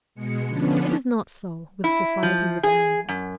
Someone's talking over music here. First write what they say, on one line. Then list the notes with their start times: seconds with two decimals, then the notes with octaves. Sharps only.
It is not so with societies of animals.
0.15 B2 G#3 C#7
0.48 D3 F3 B3 C#4 D4
1.84 E4
2.23 F3
2.63 G#4
3.09 F#2